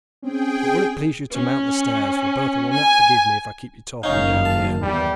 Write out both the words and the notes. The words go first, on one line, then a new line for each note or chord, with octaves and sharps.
But will it please you to mount the stairs, for Bertha will not forgive me if I keep you talking down here.
C4 C#4 G#4 G5
C#4
G#5
F#1 D#3 C#4 D#4 F5
A5
E2 G3